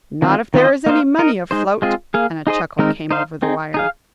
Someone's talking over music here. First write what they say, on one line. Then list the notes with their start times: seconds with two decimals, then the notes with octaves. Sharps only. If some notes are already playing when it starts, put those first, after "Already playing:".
"Not if there is any money afloat," and a chuckle came over the wire.
0.22 D#3 C4 F4
0.54 D#3 C4 F4 C5 D#5
0.86 A#3 D#4 C5 F5
1.19 D#4 A#4 D#5
1.51 G#3 D#4 C5
1.82 G#3 C4 F4 G#4
2.14 A#3 G#4 F5
2.47 D#4 G#4 C5 D#5
2.79 D#3 G#3 C4 D#4 A#4
3.11 D#4 C5 F5
3.42 C4 D#4 G#4
3.74 D#4 G#4 F5